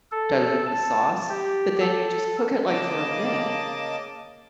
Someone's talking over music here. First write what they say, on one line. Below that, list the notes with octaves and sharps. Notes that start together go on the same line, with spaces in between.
dilute the sauce, but then you just cook it, like, for a minute
A4
A5
G4
A4
C#3 A#3 D#5 A5 D6